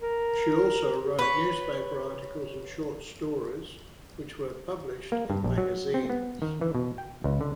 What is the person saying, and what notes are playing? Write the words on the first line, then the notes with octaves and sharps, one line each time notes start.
She also wrote newspaper articles and short stories which were published in magazines.
A#4
B4 C#5
A#3
G2
A#1
F#3
C4
B3
D#3
E3
B2
G5
C#2
D3